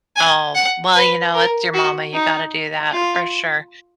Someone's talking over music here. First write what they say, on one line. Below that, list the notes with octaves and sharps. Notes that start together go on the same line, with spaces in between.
Oh, well, you know, it's your mama, you gotta do that for sure.
G#5
F#5
B4
A#4
F#4
D#4
F4